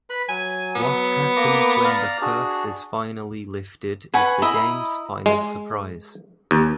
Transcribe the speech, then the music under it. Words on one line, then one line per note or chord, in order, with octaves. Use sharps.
What happens when the curse is finally lifted is the game's final surprise.
B4 B5
F#3 G#5
B3
A#3 A#5 D6
D5 F5 A#5
D4 F#4 G#4
B4 F#5 G#5 C#6
E4 D#5 A#5 B5
G#3
D#2